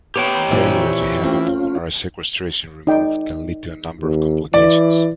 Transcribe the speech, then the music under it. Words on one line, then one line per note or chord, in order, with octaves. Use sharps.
Failure to have a pulmonary sequestration removed can lead to a number of complications.
B3 G4 C#5 G5
A#2 E3 C4 G#5
A3 C4 C#4 F4
D#4 D5 G5
D#2
E3 D5